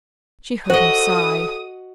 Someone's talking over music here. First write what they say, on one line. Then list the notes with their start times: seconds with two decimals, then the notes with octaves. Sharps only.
She heard him sigh.
0.70 F#4 A4 C5 D#5 D#6